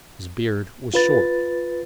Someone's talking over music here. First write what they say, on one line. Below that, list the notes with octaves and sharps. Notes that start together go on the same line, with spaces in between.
His beard was short.
F4 B4 A6